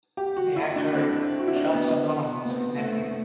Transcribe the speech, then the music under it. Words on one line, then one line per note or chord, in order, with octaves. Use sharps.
The actor Jacques Sablon was his nephew.
G4
F#4
E4
D4
C4
F#4
E4
D4
C4
B3
B3
C4
A3
B3
A3
A3